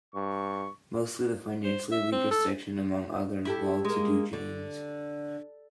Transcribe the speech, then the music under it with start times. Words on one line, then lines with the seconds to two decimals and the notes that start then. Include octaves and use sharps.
Mostly the financially weaker section among otherwise well to do jains.
0.15 G2 C#6
1.64 C5
1.92 E5
2.12 C4
2.31 A4
3.45 E4 G4 A4
3.85 G#3 A#3
4.33 D3